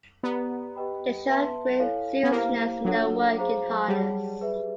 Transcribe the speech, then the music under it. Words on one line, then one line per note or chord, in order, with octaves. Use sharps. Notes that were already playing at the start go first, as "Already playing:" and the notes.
They show great seriousness in their work in harness.
B3 G4 B4 D5 F#5 A#5
G4 B4 D#5 G5 B5
B4 E5 A5 C6
E4 A4 C#5 F5 G#5
B3
A#3 E4 G4 C5 F5 A#5
F#3 D4 F4 A4 C#5 F#5
G#4 C5 F5 A#5 D6
G3 G#4 C#5 F#5 A5
G#4 B4 E5